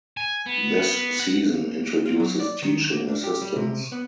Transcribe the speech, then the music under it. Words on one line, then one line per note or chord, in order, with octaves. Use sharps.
This season introduces teaching assistants.
G#5
B3
F#5
F4
F#3
D5
D#3
A#3
D4
G4
G3
C3
B3